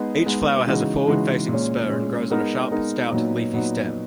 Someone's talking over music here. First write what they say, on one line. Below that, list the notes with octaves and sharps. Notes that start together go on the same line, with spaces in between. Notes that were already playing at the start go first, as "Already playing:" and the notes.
Each flower has a forward-facing spur and grows on a sharp, stout, leafy stem.
Already playing: G#3 B3 D#4 G#4
G#3 B3 D#4 G#4
C#3 E3 G#3 D#4 F#4
C#3 E3 G#3 D#4 F#4
A#2 G#3 C#4
A#2 G#3 C#4
G#3 B3 D#4 A#4
G#3 B3 D#4 A#4
A#2 F#3 B3 D#4
A#2 F#3 B3 D#4